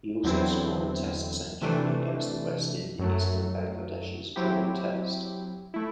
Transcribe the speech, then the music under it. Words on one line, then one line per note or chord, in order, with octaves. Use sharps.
He also scored a Test century against the West Indies in Bangladesh's drawn Test.
E2 D3 F#3 C4 E4
C3 E3 A3 D4
F#2 F#3 A3
F#3 C4 E4 G4
A3 E4